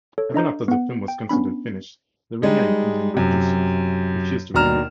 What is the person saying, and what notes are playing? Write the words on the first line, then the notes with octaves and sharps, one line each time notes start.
Even after the film was considered finished, the Iranian producers refused to release it.
A4 C#5
D4 D#5 A#5 G6
B3 F#5
G5
B3 C#4 D4 B5
G3 G#3 D#4
F#2 C3
D#2 B2 D4 A#5 F6 E7